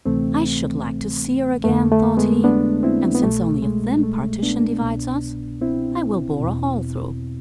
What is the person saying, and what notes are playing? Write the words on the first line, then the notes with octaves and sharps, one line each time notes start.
"I should like to see her again," thought he; "and since only a thin partition divides us, I will bore a hole through."
D2 C3 E3 A3 C4
F2 D3 A3
A3
G#3 B3
B3 D4
C4 E4
B3
C2 B2 A3
G#3
A3
B3 D4
C2 B2
C4 E4
E2 B2